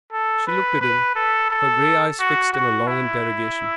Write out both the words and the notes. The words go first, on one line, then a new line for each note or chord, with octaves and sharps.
She looked at him, her grey eyes fixed in a long interrogation.
A4
B4
B4
A4
A4
F#4
F#4
E4